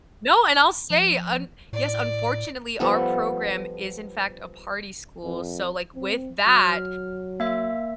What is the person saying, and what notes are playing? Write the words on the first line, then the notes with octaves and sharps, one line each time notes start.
No, and I'll say, un yes, unfortunately, our program is in fact a party school, so, like, with that
F3
A2 D5
F3 G3 B3 A4
F2
C4
F#3 F6
A#3 E5